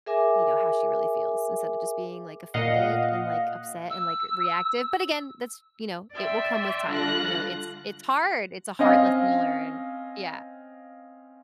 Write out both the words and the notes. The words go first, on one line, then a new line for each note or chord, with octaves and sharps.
you know, how she really feels instead of just being, like, offended and, like, upset and, like, r reactive, but, again, that's you know, it will come with time, you know, it's it's hard, it's a hard lesson to learn, yeah.
G#4 A#4 E5 G#5 D6
A#2 D#5 F5 F#5
E6
D5 E5 G5 C6
D3 G3 F4 F#6 A#6
C4 C#4 D#5 F5